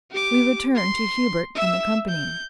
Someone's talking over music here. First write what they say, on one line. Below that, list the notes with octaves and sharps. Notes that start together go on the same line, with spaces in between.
We return to Hubert and the company.
G4 D6
C6
E5 E6
G6